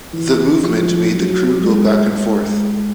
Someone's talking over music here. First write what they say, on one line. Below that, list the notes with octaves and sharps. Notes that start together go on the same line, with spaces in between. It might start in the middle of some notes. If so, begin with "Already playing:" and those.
The movement made the crew go back and forth.
E3
F3
F#3
G#3
G#3